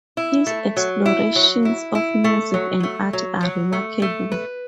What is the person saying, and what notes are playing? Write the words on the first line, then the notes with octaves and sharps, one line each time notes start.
His explorations of music and art are remarkable.
E4
A3
F#3
E4
F#3
E4
E4
A3
F#3
A3
F#3
F#3
A3
A3
B4